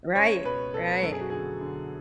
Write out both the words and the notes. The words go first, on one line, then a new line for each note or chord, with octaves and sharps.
Right, right.
C#2 C#5
B2 B4
B2 A4
F#2 A4
G#4
F#4
D3 G#4
D3